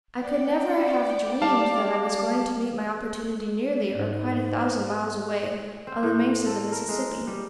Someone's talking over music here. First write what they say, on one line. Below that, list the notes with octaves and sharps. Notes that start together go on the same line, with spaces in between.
I could never have dreamed that I was going to meet my opportunity nearly or quite a thousand miles away, on the banks of the Mississippi.
D5 F#5 G5
G3 F5 A5 D6
G#2
C4
A2
A4
A#4
G#3
G3